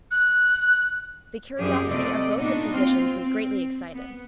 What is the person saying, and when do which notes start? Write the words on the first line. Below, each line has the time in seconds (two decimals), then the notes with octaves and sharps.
The curiosity of both the physicians was greatly excited.
0.11 F#6
1.57 F#2 F3 G4 G#4 D5
1.86 F2 C3 A3 D5 D#5
2.37 A#2 B3 D4 D#4 F#4
2.73 C4 F4
3.17 C4
3.91 B3